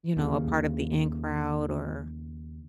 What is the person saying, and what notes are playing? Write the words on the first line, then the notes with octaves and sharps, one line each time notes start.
you know, a part of the in crowd, or
D#2 C#3